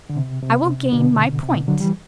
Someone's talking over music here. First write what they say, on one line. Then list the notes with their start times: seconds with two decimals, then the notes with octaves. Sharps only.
I will gain my point.
0.09 D3
0.17 C3
0.43 C3
0.92 B2 D3
1.43 C3
1.55 B2 D3
1.68 D3 F#3
1.80 E3 G3